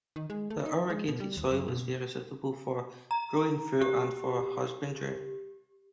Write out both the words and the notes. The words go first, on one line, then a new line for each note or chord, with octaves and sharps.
The irrigated soil is very suitable for growing fruit and for husbandry.
D#3
G#3
A3
D#4
G#3
B2
G3
D#2
F#2
B2
A#5
G4